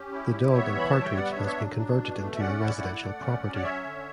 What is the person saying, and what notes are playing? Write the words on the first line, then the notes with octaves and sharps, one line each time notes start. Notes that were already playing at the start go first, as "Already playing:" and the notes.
The Dog and Partridge has been converted into a residential property.
Already playing: C#4 G4
E4
G3
B3 C#5 E5
E3 B5
G3 A5
G5
B3 D5 F#5
C#5 E5
D4
C#5 E5
F#3
D4
B2
A3
E5
C#4 D5 F#5
E4
A3
A3
C#4
F#3
F#5
C#4 C#5 E5
D3